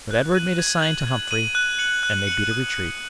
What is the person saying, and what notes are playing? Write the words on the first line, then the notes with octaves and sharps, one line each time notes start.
But Edward made a sign to Humphrey, and they beat a retreat.
F#6
D#7 F#7
G#6
D#7 F#7
G#6
D#7 F#7
F#6
C#7 F#7
F#6
C#7 F#7
D#6
F#6 D#7